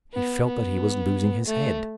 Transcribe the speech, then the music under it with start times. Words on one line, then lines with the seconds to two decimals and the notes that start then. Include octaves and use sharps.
He felt that he was losing his head.
0.14 B3
0.47 B3
1.46 A3